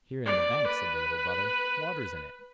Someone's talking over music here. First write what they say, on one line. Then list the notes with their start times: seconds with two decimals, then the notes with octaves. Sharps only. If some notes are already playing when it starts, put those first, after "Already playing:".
"Here in the bank," said the little brother; "water's in it."
0.26 D5
0.67 B4